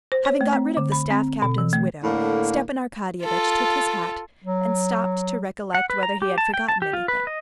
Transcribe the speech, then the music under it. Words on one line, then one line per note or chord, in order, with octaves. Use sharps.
Having got rid of the staff captain's widow, Stepan Arkadyevitch took his hat and stopped to recollect whether he had forgotten anything.
C5
C#5
A3
C4
D3
B5
C4
B2
E3
A3
A2 D3 A#3
F4 A4
F#3
F#5
B4
A#5
G4
A5
G5
A5
G4
F4
B4
D#5